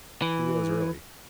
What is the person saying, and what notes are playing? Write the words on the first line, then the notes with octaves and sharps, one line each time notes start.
He rose early.
E3